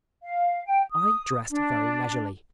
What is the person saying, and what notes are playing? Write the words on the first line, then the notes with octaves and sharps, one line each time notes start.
I dressed very leisurely.
F5
G5
D#6
D4